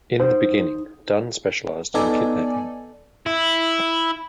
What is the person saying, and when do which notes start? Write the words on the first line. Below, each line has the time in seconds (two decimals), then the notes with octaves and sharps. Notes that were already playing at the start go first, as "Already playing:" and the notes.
In the beginning, Dunne specialized in kidnapping.
0.20 D#4 C5
1.94 B3 D#4 A4 D5 G#5
3.26 E4